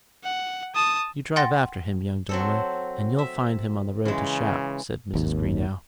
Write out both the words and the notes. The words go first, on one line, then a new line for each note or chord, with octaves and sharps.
"You drive after him, young gentleman, and you'll find him on the road to Shap," said Mrs. Greenow.
F#5
A5 D#6
F#5 G5 C6 A6 A#6
F#3 C4 A4
E5
C#3 E3 G#3
G#1 D#2